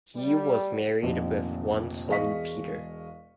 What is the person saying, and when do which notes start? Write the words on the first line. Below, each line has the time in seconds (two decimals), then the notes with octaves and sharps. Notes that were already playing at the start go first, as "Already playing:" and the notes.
He was married with one son Peter.
0.14 G3
1.02 F1 A#1 F2 C3 D#3
2.09 E1 G#3 D#5 F5 C#6 B6